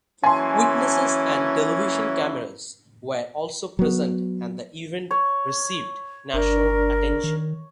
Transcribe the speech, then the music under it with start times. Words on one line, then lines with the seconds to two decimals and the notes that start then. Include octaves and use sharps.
Witnesses and television cameras were also present and the event received national attention.
0.24 E3 F#3 A#3 C#4 G#5 A5 C6
3.79 F#3 B3
5.11 C#5
6.34 G1 D4 A#4 D5
7.24 D#3